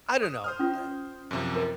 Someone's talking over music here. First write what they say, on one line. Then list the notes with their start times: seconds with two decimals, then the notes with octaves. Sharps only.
I don't know, eh,
0.23 D#6
0.44 C5 D#6 F6
0.59 C#4 F4
1.31 F#2 C3 F3
1.56 A#4 D#5